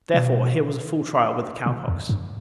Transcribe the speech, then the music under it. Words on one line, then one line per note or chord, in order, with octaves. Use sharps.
Therefore, here was a full trial with the cow-pox.
B2
B2
E2
G2